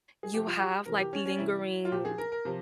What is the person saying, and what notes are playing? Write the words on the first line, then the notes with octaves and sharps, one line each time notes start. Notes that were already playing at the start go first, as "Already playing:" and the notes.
you have like lingering,
G#4
C3 F3 G4
F4
G4
C3 E3 A#4
G4
C#4
C#4
C3 E3 E4
F4
A#2 F3 G4
G#4
A#4
A#4
C3 F3